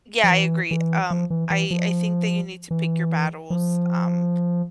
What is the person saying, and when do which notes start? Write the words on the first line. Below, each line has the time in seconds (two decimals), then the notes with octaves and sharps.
Yeah, I agree, um, I I think that you need to pick your battles, um,
0.24 F3
0.31 E3
0.71 E3
1.10 F3
1.30 E3
1.50 E3
1.71 F3
2.71 E3
3.50 F3